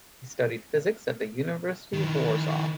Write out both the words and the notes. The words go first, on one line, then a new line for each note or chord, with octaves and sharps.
He studied physics at the University of Warsaw.
D#3 E3